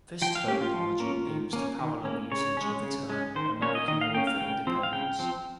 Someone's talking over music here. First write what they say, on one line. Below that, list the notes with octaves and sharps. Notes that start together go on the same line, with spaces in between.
This terminology aims to parallel usage of the term "American War for Independence".
F3 G5
F5
A#3 C#4 G4
F4
F3
A#3 C#4
D#3
A#3 C#4
D#3
A#3 C#4
C#3 C#5
G#3 C#4
C#3
G#3 C#4
D#3 C5
A#3 C#4 C#5
D#5
D#3 D#5
F5
A#3 C#4 G5
F5
C#3 G5
F3 C4
F5
C#3 G5
F3 C4